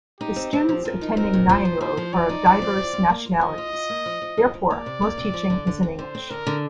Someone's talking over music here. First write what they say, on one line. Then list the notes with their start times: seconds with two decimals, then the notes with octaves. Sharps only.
The students attending Nyenrode are of diverse nationalities, therefore most teaching is in English.
0.20 D#4 G4
0.36 C4
0.53 C4 G4
0.69 F3
0.85 F3 A#4
1.01 D#4
1.17 C4 A#4
1.34 A#2
1.49 F3 C5
1.65 A#2
1.81 F3 C5
1.97 F3
2.13 D#4 D5
2.29 D#4
2.46 F3
2.62 C4
2.77 F3
2.93 F4
3.10 A#3
3.25 F4
3.41 F3 D#5
3.58 F4
3.73 F4
3.90 A#3
4.06 F3
4.22 F3
4.37 F3
4.54 F3
4.70 A#3 D5
4.86 C3
5.02 A#3
5.18 C3
5.34 F3
5.50 D3
5.67 D3
5.83 C4
5.98 D3 C5
6.15 C4
6.30 D3 A#4
6.47 D3